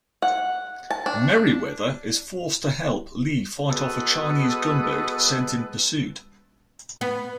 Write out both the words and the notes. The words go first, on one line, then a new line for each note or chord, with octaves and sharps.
Merryweather is forced to help Lee fight off a Chinese gunboat sent in pursuit.
F#5
A5
D4
G#3 B3 F#4 G#4 A4 B4
B3